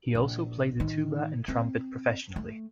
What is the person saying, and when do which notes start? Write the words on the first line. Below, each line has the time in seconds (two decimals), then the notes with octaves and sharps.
He also played the tuba and trumpet professionally.
0.15 A#1
0.80 A2 D#3
1.48 C4
2.36 A3